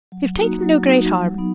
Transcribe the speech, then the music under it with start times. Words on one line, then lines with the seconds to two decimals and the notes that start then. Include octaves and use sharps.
"You've taken no great harm."
0.12 F#3
0.37 A#3 D#4 F#4
0.62 F#3
0.87 A#3 D#4 F#4
1.13 F#3
1.38 B3 D#4